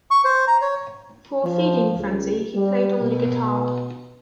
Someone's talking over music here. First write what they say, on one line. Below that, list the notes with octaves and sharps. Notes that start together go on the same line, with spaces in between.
For "Feeding Frenzy", he played only guitar.
C#6
C5
A#5
C#5
F3
C#2
G3
B2